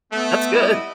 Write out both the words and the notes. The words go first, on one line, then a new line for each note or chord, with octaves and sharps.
That's good.
A3 B3
G3 E4 D#5